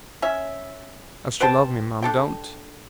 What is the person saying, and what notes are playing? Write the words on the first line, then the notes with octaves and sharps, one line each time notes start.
"As you love me, mum, don't!"
C#4 E5
B4 C5 G5 A5
D4 A4 G5